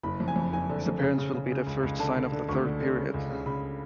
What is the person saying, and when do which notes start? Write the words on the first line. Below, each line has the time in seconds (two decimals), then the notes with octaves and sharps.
His appearance will be the first sign of the third period.
0.03 F#1 B5
0.20 F2
0.28 G#5
0.36 F2
0.53 F#1 G#5
0.69 D3
0.86 F2
1.02 C#3
1.18 C#3
1.34 C#3
1.51 C#3
1.67 C#2
1.83 C#2
1.99 D3 A5
2.16 D3
2.32 D3
2.49 D2 C#6
2.65 D3
2.80 D3
2.97 C#3
3.14 C#2
3.30 C#3
3.46 C#3 B5